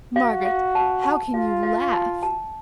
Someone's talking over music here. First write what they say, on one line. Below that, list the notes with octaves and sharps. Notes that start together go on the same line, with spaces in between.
"Margaret, how can you--laugh!"
F#4 F5
F5
A5
A5
F4 F5
F5
A5
A5